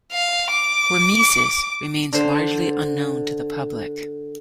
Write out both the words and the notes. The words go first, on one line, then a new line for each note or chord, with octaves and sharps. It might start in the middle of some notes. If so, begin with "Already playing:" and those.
Hormesis remains largely unknown to the public.
F5
D6
D3 C5